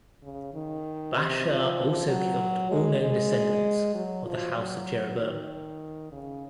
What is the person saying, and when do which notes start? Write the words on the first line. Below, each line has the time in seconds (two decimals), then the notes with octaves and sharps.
Baasha also killed all known descendants of the House of Jeroboam.
0.23 C#3
0.54 D#3
1.16 C3
1.46 F3
2.08 F#3
2.71 G#3
3.01 G#3
3.95 F#3
4.26 F3
4.57 F#3
5.18 D#3
6.12 C#3